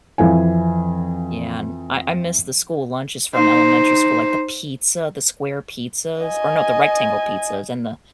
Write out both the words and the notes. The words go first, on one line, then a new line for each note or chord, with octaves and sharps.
Yeah, an I I missed the school lunches from elementary school, like the pizza, the square pizzas, or no, the rectangle pizzas and the
F2 E3 F5 G#5
D#4 C5
D#5 G#5